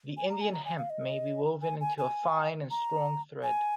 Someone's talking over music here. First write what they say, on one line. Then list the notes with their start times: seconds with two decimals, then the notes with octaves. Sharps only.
The Indian hemp may be woven into a fine, and strong thread.
0.17 G#5
0.30 A#5
0.41 G#5
0.53 A#5
0.65 G#5
0.78 F5
0.90 D#5
1.62 G#5
1.81 G#5
1.98 G#5
2.71 A#5
3.43 G#5